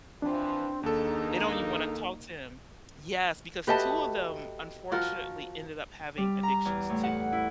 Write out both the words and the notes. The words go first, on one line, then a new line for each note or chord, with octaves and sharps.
they don't even want to talk to him. Yes. Because two of them unfortunately ended up having addictions too.
E3 F3 C4 D4
D#2 A#3 D#4 G#4 A4
A3 F#4 G4 B4 D#5 A5
F3 F#4 A#4
G3
A#5
E2
A2
F#5
E4